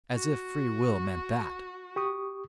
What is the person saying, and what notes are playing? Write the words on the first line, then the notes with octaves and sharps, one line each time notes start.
As if free will meant that!
F#4
G4 C#6 D#6